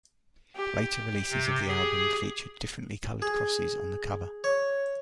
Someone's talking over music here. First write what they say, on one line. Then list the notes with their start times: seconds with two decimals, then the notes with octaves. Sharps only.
Later releases of the album featured differently colored crosses on the cover.
0.56 G4
1.30 C3
1.68 G#4
3.22 G#4
4.44 C#5